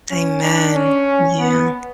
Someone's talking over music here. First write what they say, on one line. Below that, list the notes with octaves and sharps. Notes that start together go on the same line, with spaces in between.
Amen, yeah.
C#4
D4
C#4
B3